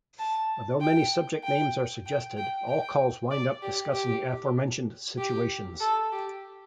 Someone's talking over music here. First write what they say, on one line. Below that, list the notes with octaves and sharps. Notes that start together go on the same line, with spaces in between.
Although many subject names are suggested, all calls wind up discussing the aforementioned situations.
A5
G5
G5
G5
G5
G5
D5
G4
G4
G4
A4
G4